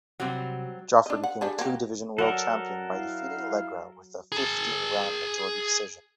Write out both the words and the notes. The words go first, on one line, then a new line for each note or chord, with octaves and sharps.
Jofre became a two-division world champion by defeating Legra with a fifteen-round majority decision.
C3 F#3 G3 C4 F#4
D4 D#5
F#5
G3 D4 G#4
A#3 F#4 G4
F#3 A4 A#4 D5 F#5 F#6
E4 F5
G#4 A5